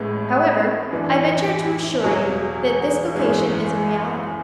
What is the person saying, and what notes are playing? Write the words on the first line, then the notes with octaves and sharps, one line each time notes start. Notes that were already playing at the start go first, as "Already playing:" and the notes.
However, I venture to assure you that this vocation is a reality.
Already playing: A1 A2 G#3 B3
F#2 E3 B3 D4
E1 E2 B2 F#3
G#1 F#2 E3 G#3